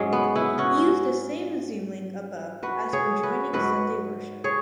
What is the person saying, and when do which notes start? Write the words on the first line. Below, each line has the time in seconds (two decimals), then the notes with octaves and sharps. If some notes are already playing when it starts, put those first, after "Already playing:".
Use the same Zoom link above as for joining Sunday worship.
Already playing: G#2 F#3 G#3 C#4
0.13 B3
0.35 B3 E4
0.58 C#4 F#4
2.63 F#4 B4
2.93 G#4 C#5
3.23 F#4 B4
3.53 G#2 F#3 F#4 B4
4.44 G#4 C#5